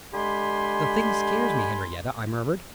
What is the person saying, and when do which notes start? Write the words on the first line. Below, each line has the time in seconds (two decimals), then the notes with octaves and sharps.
"The thing scares me, Henriette," I murmured.
0.13 D3 G#3 G4 G#5 B5 C6